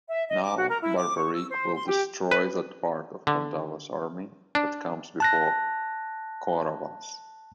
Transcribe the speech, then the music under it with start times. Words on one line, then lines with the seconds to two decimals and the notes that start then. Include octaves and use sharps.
Now, Barbareek will destroy that part of Pandavas army that comes before Kauravas.
0.09 E5
0.28 D#5
0.43 D6
0.57 F#4
0.69 A#4
0.82 E4
0.97 D6
1.17 C#6
1.34 E6
1.50 C5
1.75 C6
1.87 G4
2.31 B4
3.27 D3
4.55 D4
5.20 A5 F#6 A#6